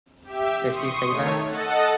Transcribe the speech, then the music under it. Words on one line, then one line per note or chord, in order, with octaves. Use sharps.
Did he say that?
G4 E5
C6 C#6 D#6
D#3 A3 C#5
A4 D#5 F#5 A6